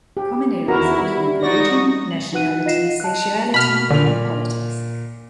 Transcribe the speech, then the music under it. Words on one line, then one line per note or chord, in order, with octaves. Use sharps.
Common areas include religion, nationality, sexuality, and politics.
G4
E2 E4 F#4 A#4 A#5
G3
D#4 F#4 D5 A#6
F#7
D#4 F#4 B4 F#5 F#6 D#7
F4 D#5 F5 A#6 C7 E7
A5 F#6
B2 B5 F6
A#2 D3 F7